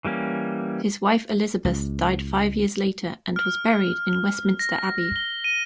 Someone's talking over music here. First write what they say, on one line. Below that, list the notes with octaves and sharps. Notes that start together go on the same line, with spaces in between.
His wife Elizabeth died five years later, and was buried in Westminster Abbey.
E3 G3 A#3 C#4
C#2
F6
A#6
G7
D#7